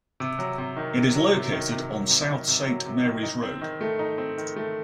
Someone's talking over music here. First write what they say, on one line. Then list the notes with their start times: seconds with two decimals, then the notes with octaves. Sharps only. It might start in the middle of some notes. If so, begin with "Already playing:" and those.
It is located on South Saint Marys Road.
0.20 C3
0.39 F#3
0.58 C3
0.77 D#3
0.96 C3
1.15 F#3
1.34 C3
1.52 D#3
1.71 C3
1.90 F#3
2.10 C3
2.28 D#3
2.48 C3
2.66 F#3
2.85 C3
3.05 D#3
3.23 D#4
3.42 C4
3.61 D#3
3.81 A3
3.99 D#4
4.18 C4
4.38 D#3
4.56 A3